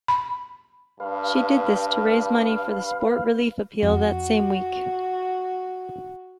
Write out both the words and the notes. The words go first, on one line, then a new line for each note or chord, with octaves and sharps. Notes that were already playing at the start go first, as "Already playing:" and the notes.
She did this to raise money for the Sport Relief appeal that same week.
B5
G2 B4 F5
F2 F#4